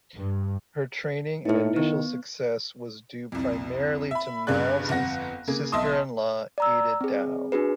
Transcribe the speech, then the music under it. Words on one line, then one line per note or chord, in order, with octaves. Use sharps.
Her training and initial success was due primarily to Miles's sister-in-law Ada Dow.
G2
A2 D#4 E4
D#3 B3
C2 F2
E5 B5
G1 G2 C#3 G#4 D5 F#6
G1 F2 F#5 A#6
C#3 A#3 G#4
B1 D#5 E5 A5 C6 D#6
D5 A#5 E6
C4 G#4
D4 F#4 G#4 B4